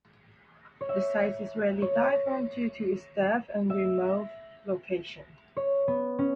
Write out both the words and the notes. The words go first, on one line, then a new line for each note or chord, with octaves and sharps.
The site is rarely dived on due to its depth and remote location.
C#5
E5
C#5
E5
C#5
B3
C#4